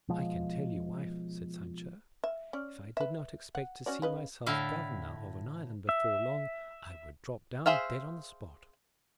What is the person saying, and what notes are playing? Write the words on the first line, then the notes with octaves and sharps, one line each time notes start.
"I can tell you, wife," said Sancho, "if I did not expect to see myself governor of an island before long, I would drop down dead on the spot."
B2 F3 G#3
E5
C#4 D5
B4 E5
F#5
C#4 F#4 D5
C#3 B4 D#5
A2 D3 E4 F5
E5
G#4 C5 E5 F5